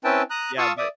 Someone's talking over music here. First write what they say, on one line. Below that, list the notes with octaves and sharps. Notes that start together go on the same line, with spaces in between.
yeah, but
C4 C#4 E4 B4 G5 A5
A#5 D#6 F#6
F4 F5 A5 C#6 D#6 E6
D5 E5 D#6